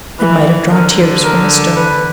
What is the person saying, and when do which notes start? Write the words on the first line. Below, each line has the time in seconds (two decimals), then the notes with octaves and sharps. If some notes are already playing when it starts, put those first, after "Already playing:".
It might have drawn tears from a stone.
0.19 E3 B4
0.71 D3 A#4
1.24 A#4
1.76 B4